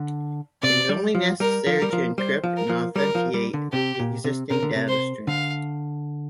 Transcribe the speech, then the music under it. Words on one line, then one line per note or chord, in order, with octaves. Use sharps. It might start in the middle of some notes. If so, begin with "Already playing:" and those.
It is only necessary to encrypt and authenticate the existing data stream.
Already playing: D3
C3 D5
G3
F3
G3 A#4
F3
G3 A#4
F3
G3 C5
F3
A#4
F3
G3 A#4
F3
G3
D3
C3 G4
A#2
C3
C3 A#4
D3
C3
C5
D3 F5